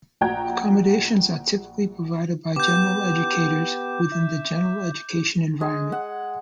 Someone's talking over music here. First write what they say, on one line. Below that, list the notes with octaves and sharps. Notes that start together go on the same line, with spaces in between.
Accommodations are typically provided by general educators within the general education environment.
A#1 F#4 G5 A#5 G#6
B3 G4 D6 G6
E5
G#3
F#5